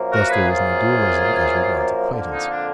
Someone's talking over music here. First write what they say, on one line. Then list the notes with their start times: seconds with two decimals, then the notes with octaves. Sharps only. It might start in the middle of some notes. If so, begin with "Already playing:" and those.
Thus there is no dualism as regards acquaintance.
Already playing: F#2 F3 A#3
0.11 F#4 A#4
0.29 G#4 B4
0.47 F4 G#4
2.12 F2 D3 F3 A#3
2.31 D#4
2.49 D4